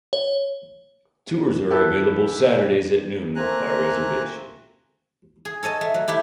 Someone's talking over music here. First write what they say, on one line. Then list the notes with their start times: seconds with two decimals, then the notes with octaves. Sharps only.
Tours are available Saturdays at noon by reservation.
0.13 C#5
1.70 E4 G4 A4 B4
3.35 A3 A#3 C4 G#5 A#5 F#6
5.45 G#4
5.63 A4 C#5 D#5 A5
5.81 A3
5.94 F#3
6.08 A3 E4 G4